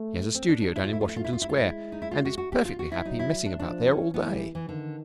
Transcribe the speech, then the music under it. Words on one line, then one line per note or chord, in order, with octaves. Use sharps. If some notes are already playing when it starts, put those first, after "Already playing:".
He has a studio down in Washington Square, and is perfectly happy messing about there all day.
Already playing: A3
C4
D4
D4
E4
F4
A3 E4
F4
E4
F4
E4
F4
G#3 E4
F4
E4
D#4
E4
F4
F#4
F#4
G4
F4
F#4
E4
F#3 D#4
E4
D4
F3 D4
C#4
E3 B3
G3
E3
D3 D#3